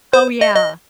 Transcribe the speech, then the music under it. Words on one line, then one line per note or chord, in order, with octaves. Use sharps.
Oh, yeah,
C5
D#5
D#5